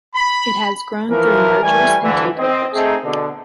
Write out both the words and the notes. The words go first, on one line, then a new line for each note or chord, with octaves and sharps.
It has grown through mergers and takeovers.
B5
E3 F3 A#4
E3 G3 A3 G#5
D2 G2 D3 E3
C4 D#5
A3 C4 D#4 G#4
B2 D3